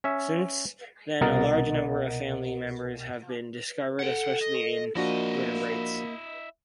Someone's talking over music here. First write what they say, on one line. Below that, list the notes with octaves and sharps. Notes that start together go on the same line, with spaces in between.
Since then a large number of family members have been discovered, especially in vertebrates.
C#4 E5
C2 B2 A#4 D#5 F#5 A6
A4 F#5 G5
D#5
F3 A#3 D4 E4 F#4 D#5